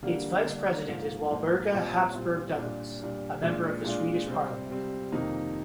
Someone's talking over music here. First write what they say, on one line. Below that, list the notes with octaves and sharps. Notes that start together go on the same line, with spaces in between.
Its Vice President is Walburga Habsburg Douglas, a member of the Swedish Parliament.
D3 G3 A#3 D4
D3 G3 A#3 D4
G#2 F3 A#3 F4
G#2 F3 A#3 F4
A#2 G3 C4 F4
A#2 G3 C4 F4
A#2 G3 D4
A#2 G3 D4
A#2 G#3 D4 F4
A#2 G#3 D4 F4
C3 G3 C4
C3 G3 C4
F2 C3 D#3 A#3 D#4